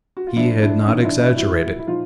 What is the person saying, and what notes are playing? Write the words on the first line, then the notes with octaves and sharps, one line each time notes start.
He had not exaggerated.
F#4
F4
A2 F3 D4 E4
D4 E4
A2 E3 C#4 D#4
F4
D4 E4
D4 E4
A2 F3 E4 F#4
E4
A#2 F3 D#4 F4